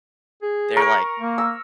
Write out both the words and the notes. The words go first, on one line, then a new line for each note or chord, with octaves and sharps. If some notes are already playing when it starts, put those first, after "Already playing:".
they're like,
G#4
A#4 C#6
A#3
E6